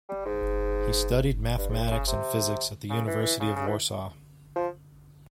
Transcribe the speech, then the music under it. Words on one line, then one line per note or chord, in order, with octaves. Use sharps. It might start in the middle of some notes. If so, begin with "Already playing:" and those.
He studied mathematics and physics at the University of Warsaw.
G3
G#2
G2
G#2
A#2
C#3
C3
C#3
E3
E3
C#3
C#3
E3
F3